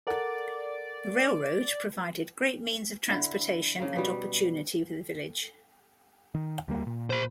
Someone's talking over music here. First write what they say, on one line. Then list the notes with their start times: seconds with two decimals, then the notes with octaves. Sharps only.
The railroad provided great means of transportation and opportunity for the village.
0.07 A4 A#4 D5 F#5
3.10 D3 E4
3.80 C#3 A#3
3.96 B2 G3
6.34 D#3
6.68 D2 G3 A#3
6.87 A#2
7.11 C5 B5